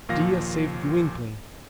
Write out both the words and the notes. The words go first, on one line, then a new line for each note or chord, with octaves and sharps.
Dea saved Gwynplaine.
D#2 A#2 F3 F5 A#6